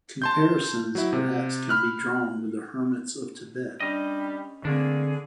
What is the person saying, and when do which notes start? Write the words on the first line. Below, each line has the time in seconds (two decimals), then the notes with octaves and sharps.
Comparisons perhaps can be drawn with the hermits of Tibet.
0.22 A5 C6 G6
0.95 F#3 E4
1.13 C3
1.69 B5 F6 F#6
3.80 G3 C#4 D4 D#5
4.65 D3 A3 A#3 C4 D4 G#4